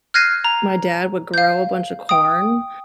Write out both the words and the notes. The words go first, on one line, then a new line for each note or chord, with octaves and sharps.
my dad would grow a bunch of corn,
F6 F#6 G#6 A#6 C7 D#7
A#5
F5 G6
G5 D#6